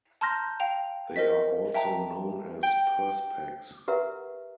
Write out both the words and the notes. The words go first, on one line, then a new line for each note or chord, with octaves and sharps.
They are also known as purse packs.
A5 A#5 C6 F6 G6 A#6
F5 G5 F7
A#4 C5 D#5 B6
E5 G5 A5 A#5
G5
G4 A#4 B4 E5 F#5 A#5